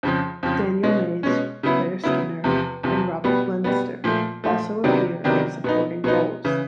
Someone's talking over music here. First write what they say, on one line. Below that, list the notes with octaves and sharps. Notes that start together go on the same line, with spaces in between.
Daniel Mays, Claire Skinner and Robert Glenister also appear in supporting roles.
F2 C#3 F3
F2 C#3 F3
B2 G#3 C#4
B2 G#3 C#4
C#3 F#3 B3 E4
C#3 F#3 B3 E4
E2 C3 F3
E2 C3 F3
B2 G3 B3
B2 G3 B3
A#2 F3 A3
A#2 F3 A3
C3 D#3 F#3 B3 D4
C3 D#3 F#3 B3 D4
B2 F#3 B3 D#4
B2 F#3 B3 D#4
C#3 E3